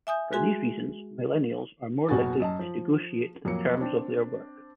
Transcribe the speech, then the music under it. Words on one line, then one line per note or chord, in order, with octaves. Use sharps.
For these reasons, millennials are more likely to negotiate the terms of their work.
E5 G#5 D#6 G6
G#3 F#4 G#4 G#5 C6
F#1 B2 F#4 B4 G#5 A6
F#2 D#5 A5
F3
F2 F#3 A#3 C#7
C4 D4